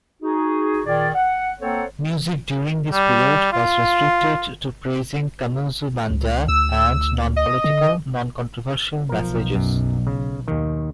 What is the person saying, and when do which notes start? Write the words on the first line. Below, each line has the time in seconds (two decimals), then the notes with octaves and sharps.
Music during this period was restricted to praising Kamuzu Banda and non-political, non-controversial messages.
0.22 D#4 F#4 G#4
0.86 A#2 D#3 G#4 D5
1.15 F#5
1.61 A#3 C4 A4 C5 C#5 F#5
2.92 G3
3.52 F4
6.10 C#2
6.48 D2 E6
7.36 D#5
7.64 D3
9.09 B1 F3 A#4
9.55 F#2
10.07 C#3
10.48 D#2 D#3